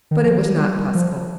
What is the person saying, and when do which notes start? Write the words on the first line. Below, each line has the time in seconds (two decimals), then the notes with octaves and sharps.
But it was not possible.
0.11 D#3
0.24 F3
0.59 G3
0.95 F3